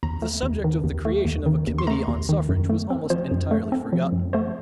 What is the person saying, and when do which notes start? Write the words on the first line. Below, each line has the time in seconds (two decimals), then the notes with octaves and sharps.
The subject of the creation of a committee on suffrage was almost entirely forgotten.
0.03 D#2 A#5
0.22 A3
0.43 D#2
0.64 D#3
0.84 D#2
1.05 A3
1.25 D#2
1.46 D#3
1.67 D#2
1.78 C6
1.87 A3 A#5
2.08 D#2
2.29 D#3
2.49 F#2
2.69 A3
2.90 C4
3.10 F3 C5
3.31 F#2
3.51 A3
3.72 C4
3.93 F3
4.13 F#2
4.33 A3 C5